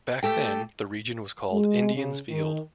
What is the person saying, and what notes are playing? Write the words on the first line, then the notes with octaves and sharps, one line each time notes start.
Back then, the region was called "Indians' Field".
A3 G4 A4 G5
G#3
C#3
D#3